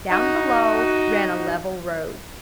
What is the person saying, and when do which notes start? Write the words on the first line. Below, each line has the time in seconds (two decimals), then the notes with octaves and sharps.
Down below ran a level road.
0.10 D#4 F#4